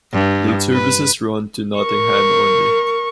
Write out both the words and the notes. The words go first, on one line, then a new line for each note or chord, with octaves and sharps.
Late services run to Nottingham only.
G2
B4
A#4 C#6